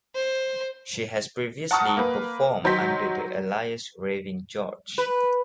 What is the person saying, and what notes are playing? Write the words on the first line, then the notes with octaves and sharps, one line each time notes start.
She has previously performed under the alias Raving George.
C5
F#5 A5 A#5 C#6 D#6 F6
A#3 B4
D#3 F#3 C5 G6 B6
B4